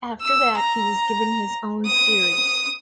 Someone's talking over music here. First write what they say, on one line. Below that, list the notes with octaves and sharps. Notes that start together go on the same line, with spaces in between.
After that he was given his own series.
E6
A#5
D#6